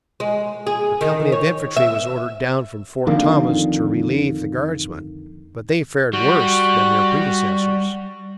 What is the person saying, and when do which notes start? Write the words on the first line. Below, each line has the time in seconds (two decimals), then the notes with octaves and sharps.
A company of infantry was ordered down from Fort Thomas to relieve the guardsmen, but they fared worse than their predecessors.
0.20 G#3
0.67 G#4
1.01 D#3
1.32 C#5
1.77 E5
3.07 F2 D3 D#3 A#3
6.13 G3 F#4